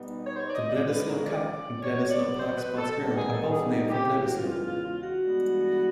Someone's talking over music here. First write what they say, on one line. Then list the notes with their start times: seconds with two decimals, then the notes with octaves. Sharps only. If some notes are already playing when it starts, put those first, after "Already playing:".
The Bledisloe Cup and Bledisloe Park sports ground are both named for Bledisloe.
Already playing: B2 G3 B3 D#4
0.26 C#5
0.34 C5
0.40 C#5
0.48 D5
0.54 D#5
0.68 C#3 F3 G#3 D5
0.87 B4
1.06 A#4
1.24 D5
1.82 B2 F#3 B3 C#5
2.11 D5
2.38 C5
2.57 B4
2.77 A4
2.96 D#3 G3 B3 D#4
3.15 G#4
3.33 A4
3.51 G#4
3.90 G4
4.09 E2 C#3 E3 G#3 G4
4.23 F#4
4.37 F4
4.51 F4
4.66 F4
4.85 F4
5.03 F#4
5.22 G2 E3 G#3 B3 D4